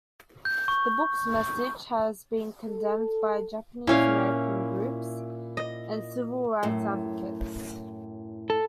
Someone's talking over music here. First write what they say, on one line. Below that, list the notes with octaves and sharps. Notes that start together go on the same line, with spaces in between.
The book's message has been condemned by Japanese American groups and civil rights advocates.
G6
C#6
A4
A#2 C#4 E4 F5
D#5
F#2 A2
A4